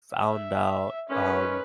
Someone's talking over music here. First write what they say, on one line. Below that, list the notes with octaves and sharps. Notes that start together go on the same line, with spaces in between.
found out, um,
E5
D#3 G#3 C#4 B4